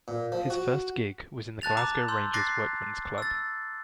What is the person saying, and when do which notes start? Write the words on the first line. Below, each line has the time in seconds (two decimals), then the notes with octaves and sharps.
His first gig was in the Glasgow Rangers Workman's Club.
0.08 A#2
0.32 F3
0.50 F#4
1.62 A5 F#6 A6 F7
1.77 A#5 D6 E7
2.08 C6 E6 G6
2.34 D6 F#6 A6 A#6 C7
3.18 E6 A6